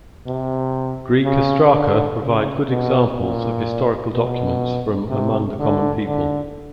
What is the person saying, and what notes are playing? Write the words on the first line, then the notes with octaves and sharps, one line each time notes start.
Greek ostraka provide good examples of historical documents from "among the common people".
C3
C#3
D3
C#3
B2
A#2
B2
C3
D3
D3